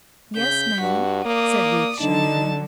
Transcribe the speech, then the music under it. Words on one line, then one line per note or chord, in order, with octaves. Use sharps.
"Yes, Ma'am," said Ruth, shyly.
C#3 G6 B6
G2 F#4
A#3 D5 D#6
D3 F#3 D#4 A5